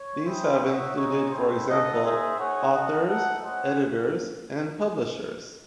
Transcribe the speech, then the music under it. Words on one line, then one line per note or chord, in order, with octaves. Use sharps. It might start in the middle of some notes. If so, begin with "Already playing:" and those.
These have included, for example, authors, editors, and publishers.
Already playing: C#5
C4 E4 G#4 C5
D#4 F#4 C#5 E5
G#3 D#4 F#4 C#5
A3 C4 E4 C5
D#4 A4 D#5 F#5
D#4 G#4 C5 E5
D#4 G#4 C#5 F#5
F#4 A4 D#5 F#5
A3 D#4 A4 D#5 F#5
C#4 F#4 C5 D#5 F#5